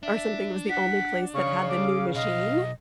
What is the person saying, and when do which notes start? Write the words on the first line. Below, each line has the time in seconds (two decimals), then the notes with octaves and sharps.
or something, it was the only place that had the new machine.
0.03 D4 E5
0.69 F#5 B6
1.34 C#3 F5 C#6
1.69 D6
2.15 B1 D#5 F5